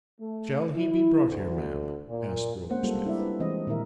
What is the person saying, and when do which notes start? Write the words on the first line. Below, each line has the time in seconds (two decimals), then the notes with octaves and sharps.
'Shall he be brought here, ma'am?' asked Rokesmith.
0.20 A3
0.75 E4
1.27 D2
2.08 A#2
2.69 G#3 A#3 C4 C#4 C5 F#5
2.83 G3 A#3 F4 A4
3.06 D4 E4 G4 A#4 D5 E5
3.20 B4
3.40 E3 G#3 C4 D#5
3.67 A#2 D#3 D#4 E4 A#4 E5